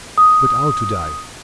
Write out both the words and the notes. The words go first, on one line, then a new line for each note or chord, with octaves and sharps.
But how to die?
D#6